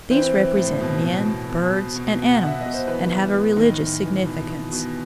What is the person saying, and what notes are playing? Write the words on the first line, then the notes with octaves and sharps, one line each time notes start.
These represent men, birds and animals and have a religious significance.
E3 C4 C5
E3
A2
B2
B2
B2
B2
B2
B2
B2
F#5
B2 E5
B2 D#5
C5
E3 B3 B4
E3
A2
A2 D#3 D#4
A2
E3
B2
B2
B2